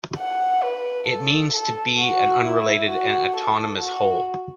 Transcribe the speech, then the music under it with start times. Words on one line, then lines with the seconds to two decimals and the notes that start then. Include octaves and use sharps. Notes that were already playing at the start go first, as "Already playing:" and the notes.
It means to be an unrelated and autonomous whole.
0.18 F#5
0.62 B4
1.09 A4
1.55 A4
2.00 F#4
2.45 E4
2.90 F#4
3.36 A4
3.82 F#4